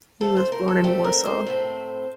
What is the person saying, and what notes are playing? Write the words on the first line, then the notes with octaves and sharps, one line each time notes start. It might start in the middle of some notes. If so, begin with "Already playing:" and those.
He was born in Warsaw.
A#2 A3 C4 A4
C5
A#4
A4
A#2 A3 C4 G4
A#4
C5
A2 A3 C4